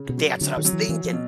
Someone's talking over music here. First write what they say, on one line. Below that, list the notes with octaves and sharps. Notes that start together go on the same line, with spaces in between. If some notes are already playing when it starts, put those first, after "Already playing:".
That's what I was thinking.
Already playing: C#3
B2
F#3
D3 F#3
D#3
F#3
E3
E3 F#3
F3
B2